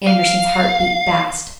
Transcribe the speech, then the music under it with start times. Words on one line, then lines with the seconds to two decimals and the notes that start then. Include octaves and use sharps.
Andersen's heart beat fast.
0.07 F5